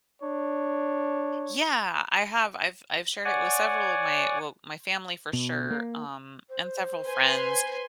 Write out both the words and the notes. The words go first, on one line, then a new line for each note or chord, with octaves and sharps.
Yeah, I have, I've I've shared it with several of my well, my family for sure, um, and several friends,
D4 C#5
C#5 D5 F#5 G#5
B2
A#3
C5
B4 G#5 C6